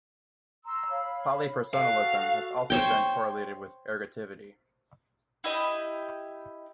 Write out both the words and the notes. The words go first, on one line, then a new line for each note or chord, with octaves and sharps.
Polypersonalism has also been correlated with ergativity.
A#5 C6 E6
C#5 F5 B5
F#4 A4 F5
C5 C#5 G5
E4 G4 D#5